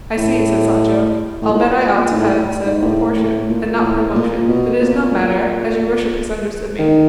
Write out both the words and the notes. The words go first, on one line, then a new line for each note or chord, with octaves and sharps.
"I see," said Sancho; "I'll bet I ought to have said proportion, and not promotion; but it is no matter, as your worship has understood me."
A2
A2
A#2
G#2
A2
G#2
A2
A2
A#2
A2
A#2
B2
A#2
D#3